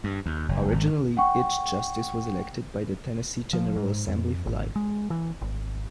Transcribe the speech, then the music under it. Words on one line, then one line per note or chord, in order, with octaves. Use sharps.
Originally, each justice was elected by the Tennessee General Assembly for life.
G2
D#2
F#1
G#1
F#5 G5 C#6
F3
G#2
F2
G#1
G#3
E3
G#1